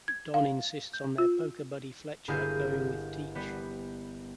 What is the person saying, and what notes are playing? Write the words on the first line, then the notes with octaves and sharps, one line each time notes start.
Don insists on their poker buddy Fletcher going with Teach.
G#6
F5
G6
F4
G1 A#3 E4 G#4 F5 G6
G3 B3